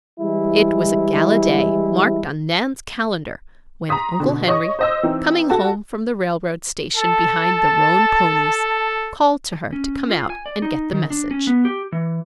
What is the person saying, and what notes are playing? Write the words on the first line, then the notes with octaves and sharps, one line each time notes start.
It was a gala day marked on Nan's calendar when Uncle Henry, coming home from the railroad station behind the roan ponies, called to her to come out and get the message.
E3 G3 G#3 E4
A#5 C6 D#6 B6
B2 D3
C#5 D#5 C#6 D#6
C5 D#5 E6
E3 C4 D#4
F#4 A4 F#5 A5
A4 A5
C#4
F4
G#5
D5
D#4
D#3
D4
C#4
B3
G4
E3